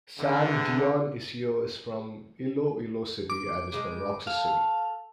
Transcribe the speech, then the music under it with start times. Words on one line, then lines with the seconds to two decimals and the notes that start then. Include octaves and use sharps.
San Dionisio is from Iloilo City and is from Roxas City.
0.19 E2 D3
3.30 D6
3.72 C#3 F3 G#3
4.27 A4 F5